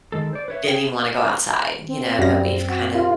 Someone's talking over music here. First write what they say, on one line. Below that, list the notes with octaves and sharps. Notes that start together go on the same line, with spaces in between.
didn't even wanna go outside, you know, but we've kinda
D#3 G#3 A4
C5 D5
B4 C#5 E5
G#4 C#5 G5
C4
F#2 G3 F5 A#6
F#4
D#2 F4